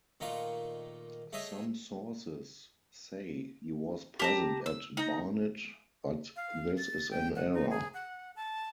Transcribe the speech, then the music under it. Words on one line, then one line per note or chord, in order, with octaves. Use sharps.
Some sources say he was present at Barnet, but this is an error.
A#2 D#3 A3 A#3 F4 C#6
A3 G#4 C#5 D#5 E5
G4 A5 A#5
E6
D#4 A#5
F5
A6
G5
F#5
D#4
G#4
F#5
A5